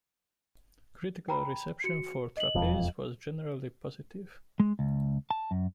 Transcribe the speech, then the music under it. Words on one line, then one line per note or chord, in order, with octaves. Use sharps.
Critical reception for "Trapeze" was generally positive.
G5 A#5 B5
F#4 C#7
D#5 F#7
E1 F2
G#3
C#2
A5
F#2